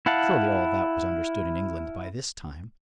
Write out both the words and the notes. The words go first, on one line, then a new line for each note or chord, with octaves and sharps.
Surely all that was understood in England by this time.
E4 F5 F#5 A5